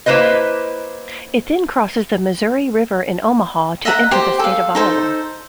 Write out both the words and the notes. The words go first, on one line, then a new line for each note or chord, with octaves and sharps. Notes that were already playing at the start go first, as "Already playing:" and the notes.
It then crosses the Missouri River in Omaha to enter the state of Iowa.
A#3 E4 B4 C5 D#5
D#5 E5 F#5 A#5
G4 C5
A4 F5
D#4 A4 C5